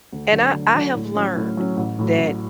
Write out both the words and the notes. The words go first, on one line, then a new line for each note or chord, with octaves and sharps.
And I I have learned that
D2
D3 F#3
D2
D3 F#3
A2
F#3 C#4
A2
F#3 C#4
A1
A2 F#3
A1